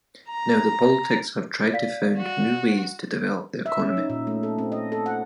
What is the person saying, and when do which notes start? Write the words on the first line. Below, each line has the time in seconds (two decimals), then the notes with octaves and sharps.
Now the politics have tried to found new ways to develop the economy.
0.29 A#5
1.73 D5 F5 B6
2.18 F#4
3.66 E5
3.79 C#4
3.97 D#4
4.10 A#2
4.27 A3
4.43 A4
4.58 C4
4.72 D#5
4.92 A4
5.06 F#5